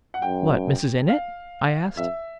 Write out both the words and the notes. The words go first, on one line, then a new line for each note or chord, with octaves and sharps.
"What, Mrs. Innitt?" I asked.
F#5
F#2 G5
F5
F2 E5